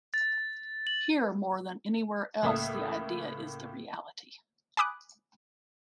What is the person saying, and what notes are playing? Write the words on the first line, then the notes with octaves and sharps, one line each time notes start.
Here more than anywhere else the idea is the reality.
A6
F#7
C#2 A2 A#3 E5 D#6
G#5 B5 D6 D#6 F#6